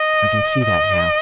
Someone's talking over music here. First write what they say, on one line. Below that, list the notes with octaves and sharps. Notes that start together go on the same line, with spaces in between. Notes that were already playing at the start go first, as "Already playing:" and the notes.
I can see that now.
Already playing: D#5
D#5